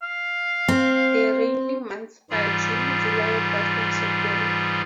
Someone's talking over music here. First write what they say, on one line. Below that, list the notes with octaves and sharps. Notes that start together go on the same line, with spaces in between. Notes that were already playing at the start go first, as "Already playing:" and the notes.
The rainy months are June, July, August and September.
F5
C4
G#2 E3 G3 F4 G#4